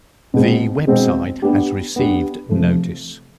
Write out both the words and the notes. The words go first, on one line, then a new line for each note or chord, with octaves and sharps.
The web site has received notice.
B2 G#3 C4
B2 G#3 C4
B3 D4 G4
B3 D4 G4
C3 F3 A3